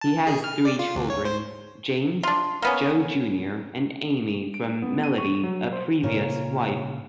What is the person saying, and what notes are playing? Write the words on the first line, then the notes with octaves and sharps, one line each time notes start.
He has three children, James, Joe Junior and Amy from Melody a previous wife.
A5
G#4
F6
D5
F4
D2
C#5
C5
D4 F4
A#3 B3 C#4
D7
B3
D#7
C#6
F#3
C5
A#2 C#3 F4 C#5 A#5